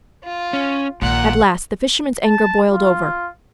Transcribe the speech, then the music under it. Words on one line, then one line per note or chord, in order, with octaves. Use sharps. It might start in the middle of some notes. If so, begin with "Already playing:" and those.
At last the fisherman's anger boiled over.
F4
C#4
A#1 A#2 D#3 F#5
A5
F4